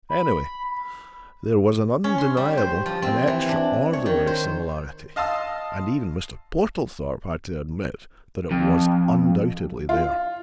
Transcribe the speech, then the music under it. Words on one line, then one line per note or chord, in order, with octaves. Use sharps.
Anyway, there was an undeniable, an extraordinary similarity, and even Mr. Portlethorpe had to admit that it was--undoubtedly--there.
B5
C#4
C6
G3
C5
F3
C4
E3
D4
C#5
D#3
C5
D#5 F5 A5 C6 D#6 E6
F2
F4